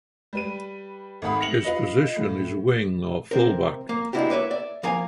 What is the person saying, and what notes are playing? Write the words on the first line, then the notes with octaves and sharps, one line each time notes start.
His position is Wing or Fullback.
G3 B4 D#7
G#1 A3 F#5 B5 D#6
A#6 C#7 F7 F#7
F4 B4 D#5
A2
C3 C4 A#4
A#3
G#3 A#3 D4 E4 F#4 G4
A#3 B4 C#5 E5
D5 E5
F3 A#3 A#4 F5 G#5 A#5